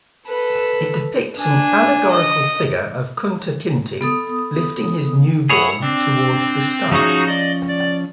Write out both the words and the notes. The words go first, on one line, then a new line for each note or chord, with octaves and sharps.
It depicts an allegorical figure of Kunta Kinte lifting his newborn towards the sky.
A4 B4
D4 G#5
D#5
B3 A4 D#6
G#4 C#5 E5 F#5 B5 D#6
C4 D4
F3 C#4 D#4 F#4 G#4 D#6
D5 D#5
D5